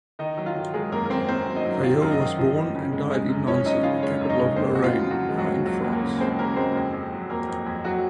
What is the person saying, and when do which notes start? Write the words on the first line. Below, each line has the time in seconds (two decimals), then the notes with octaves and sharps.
Callot was born and died in Nancy, the capital of Lorraine, now in France.
0.19 D#3 D#4 D#5
0.37 F#3
0.46 F4 F5
0.55 D#3
0.74 D#3 G#3 G#4
0.92 F#2 A#3 A#4
1.05 A#4
1.10 F#2 C4 C5
1.29 F#2 C4 C5
1.46 F#3
1.56 D#4 D#5
1.65 F#3
1.83 D#3 F4 F5
2.02 F#2
2.10 D#4 D#5
2.20 D#3
2.38 F3
2.56 F3
2.75 C#3
2.92 G#3
3.10 G#3
3.29 F#2
3.47 F3 C#4 C#5
3.66 F#2 D#4 D#5
3.83 C#3 F4 F5
4.02 G#3 C#4 C#5
4.21 F#2
4.29 D#4 D#5
4.39 G#3
4.56 D#2 C4 C5
4.74 C#3 F#4
4.84 F4
4.93 F3
5.11 F3 F#3 F#4
5.29 G#3
5.38 F#3 F#4
5.48 D#2
5.65 F3 F#3 F#4
5.84 D#2
5.93 A#3 A#4
6.03 C#3
6.20 G#3 C4 C5
6.39 C#3 A#3 A#4
6.56 G#3 C4 C5
6.76 F2
6.93 F2
7.12 F#3
7.30 F2 A#3 A#4
7.48 F2
7.66 F2
7.84 F2 F#3 F#4